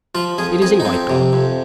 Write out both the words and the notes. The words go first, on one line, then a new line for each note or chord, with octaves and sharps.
It is a white dog.
F3 F4
F2 G#4
F2 G#4
D#4
F2 C4
C3
F2